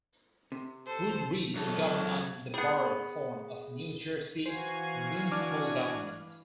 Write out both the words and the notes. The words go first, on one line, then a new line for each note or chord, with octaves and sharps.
Wood-Ridge is governed under the Borough form of New Jersey municipal government.
C3
A4 C5
F#2 A4
G3 B3 G#4
E3 F#4 B4 C5 F5 G#5 C7
D4 D6 F6